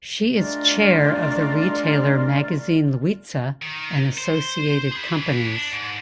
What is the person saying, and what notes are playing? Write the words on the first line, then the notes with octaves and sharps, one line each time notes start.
She is chair of the retailer Magazine Luiza and associated companies.
G#3 A3 D4 F4 A#4 D5
D#3
C5
G#4 B4
D4
G#2